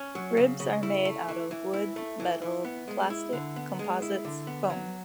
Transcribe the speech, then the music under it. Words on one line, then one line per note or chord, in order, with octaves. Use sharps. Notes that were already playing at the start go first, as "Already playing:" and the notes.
Ribs are made out of wood, metal, plastic, composites, foam.
Already playing: C#4
F#3
C#3
C#3
E4
A3
E3
E3
E4
A3
E3
E3
B3
G#3
E4
D3
B3
G#3
E4
D3
B3
F#3